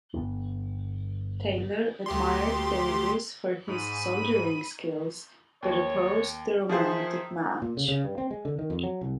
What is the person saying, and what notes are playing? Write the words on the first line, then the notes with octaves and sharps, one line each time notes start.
Taylor admired Davis for his soldiering skills but opposed the romantic match.
G1 B2 B3 D4
D2 G4 C6
G#2 B5 D#7
D#2 C#5
D#3 F3 G#4 C5 E5
A#2
C#3
C#3
G2
C4
G#3
D3
D#3
F2
F#3
C2